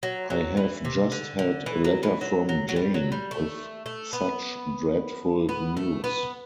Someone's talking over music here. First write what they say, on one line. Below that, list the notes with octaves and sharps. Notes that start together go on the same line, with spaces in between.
I have just had a letter from Jane, with such dreadful news.
F#3
F#3
E3
C3
D3
D3
E3
F#3
E3
F#3
F#3
F#3
G3
F#3
G3
A3
A3
B3
B3
A3
B3